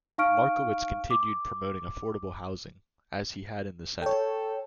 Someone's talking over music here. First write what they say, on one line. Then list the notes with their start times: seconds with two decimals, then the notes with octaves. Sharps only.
Markowitz continued promoting affordable housing, as he had in the Senate.
0.18 D#4 F5 C#6 F6 D7
1.10 D6
4.02 A4 C#5 G5